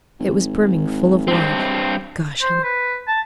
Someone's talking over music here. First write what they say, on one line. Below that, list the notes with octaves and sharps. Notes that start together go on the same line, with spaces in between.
It was brimming full of love--Gosh, honey!
G#1
G2 C4
C5
B4
A5